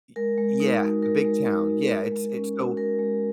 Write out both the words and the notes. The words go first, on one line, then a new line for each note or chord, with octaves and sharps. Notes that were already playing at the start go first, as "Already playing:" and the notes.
Y yeah, a big town. Yeah, it's it's so
G#3 A#4
G#3
D#4
F#4
G#3 A#4
G#3
D#4
F#4
G#3
G#3
C#4
F#4
G#3 A#4
G#3